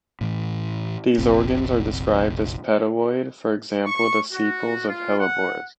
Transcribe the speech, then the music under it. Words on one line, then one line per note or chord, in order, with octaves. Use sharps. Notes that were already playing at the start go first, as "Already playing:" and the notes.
These organs are described as petaloid, for example, the sepals of hellebores.
A2 E3
F1 A#1 C4
C#6
F#4
F4
F#5